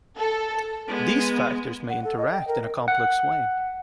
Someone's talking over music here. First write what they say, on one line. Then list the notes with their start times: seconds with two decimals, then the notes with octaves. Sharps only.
These factors may interact in a complex way.
0.17 A4
0.88 G#3 B3
1.89 F#5
2.04 A4
2.18 D#5
2.32 G5
2.47 A#4
2.88 F#5